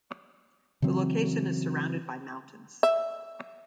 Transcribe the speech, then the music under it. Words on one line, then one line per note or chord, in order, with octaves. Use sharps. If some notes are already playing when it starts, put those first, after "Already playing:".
The location is surrounded by mountains.
C#3 E3 F#3 C4
E5